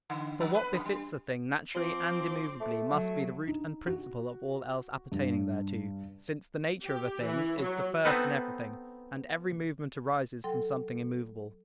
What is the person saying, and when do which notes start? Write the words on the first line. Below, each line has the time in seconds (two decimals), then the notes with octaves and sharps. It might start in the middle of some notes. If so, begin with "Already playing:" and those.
For what befits a thing naturally and immovably must be the root and principle of all else appertaining thereto, since the nature of a thing is the first in everything, and every movement arises from something immovable.
0.10 D3
0.40 F3
0.55 B4
0.73 F#2
0.86 G3
1.75 F3 C4 D6
2.60 A3
2.88 F#3 A3
3.48 D#4
3.86 F#4
5.12 G2
6.85 G4
7.25 E3
7.62 F#3
8.05 B3 C4 D#4 A4 B4
10.44 F#3 A4 G5 C6